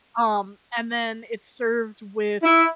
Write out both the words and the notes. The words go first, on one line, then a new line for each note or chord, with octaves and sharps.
Um, and then, it's served with
E4